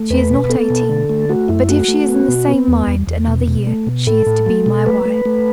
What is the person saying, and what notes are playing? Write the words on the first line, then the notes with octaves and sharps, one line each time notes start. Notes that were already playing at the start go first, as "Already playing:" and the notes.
She is not eighteen; but if she is in the same mind another year, she is to be my wife.
Already playing: A3
E2 B4
B2
B3 A4
B2
D3
A3
A3 F#4
F#2 E4
A3 F#4
A3
B3
B2
B3
E2
E2
E2
B2
B2
A3
B2
A2 A4
A2
F#3
B2
A3 B4
A3
A3